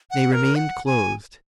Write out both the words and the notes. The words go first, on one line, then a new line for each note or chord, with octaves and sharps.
They remained closed.
F#5
A#4
F#5
G#5